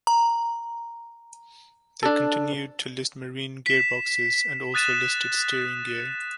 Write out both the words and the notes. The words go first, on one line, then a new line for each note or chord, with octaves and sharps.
They continued to list marine gearboxes and also listed steering gear.
A#5
D4 A4
B6 E7
D#6 F#6 A6 D#7 E7